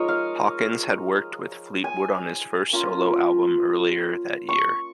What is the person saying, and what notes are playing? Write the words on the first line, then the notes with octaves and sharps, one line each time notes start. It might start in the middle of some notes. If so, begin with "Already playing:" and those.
Hawkins had worked with Fleetwood on his first solo album earlier that year.
Already playing: F3 G#3 D#4 A#4 C#5 D#5
F5
G#5
A#3 C#4 F4
C#6